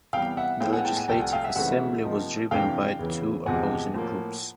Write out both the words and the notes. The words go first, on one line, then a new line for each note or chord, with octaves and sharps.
The Legislative Assembly was driven by two opposing groups.
C3 E3 G3 B3 F5 G5
E5 F#5
A2 F3 G#3 B3 E4 F5 G5
F#5 G#5
G5 A5
F#5 G#5
C2 C3 F3 A3 G5 A5
F#5 G#5
F5 G5
E5 F#5
C#2 C#3 E3 A3 C4 E5 F#5
C3 F3 A#3 D#4
F2 C3 E3 A3 D4 F5 G5
E2 C#3 E3
E2 C3 F3 G#3 F#5 G#5
A2 F3 A#3